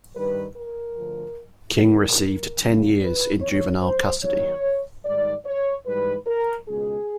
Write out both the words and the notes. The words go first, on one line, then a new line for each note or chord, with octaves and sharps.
King received ten years in juvenile custody.
G2 D#3 G3 B4
A#4
D2 D3 F3
D#2 C#3 E3 A#4
D#2 C#3 F#3
B4
E2 C3 D#3 C#5
C5
D#2 D#3 F#3 C#5
G#2 D#3 G3 D5
C#5
G#2 E3 G3 B4
A#4
C#2 B2 G#3 G#4